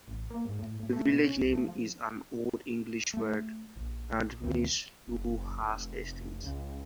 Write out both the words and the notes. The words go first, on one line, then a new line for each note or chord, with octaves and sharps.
The village name is an Old English language word, and means 'Luhha's estate'.
A1
A#3
G#2
A2
A2
A3
B2
C#4
C2
A3
F3
A3
A#1
D2 D#3 C4
F#1
F1
C#2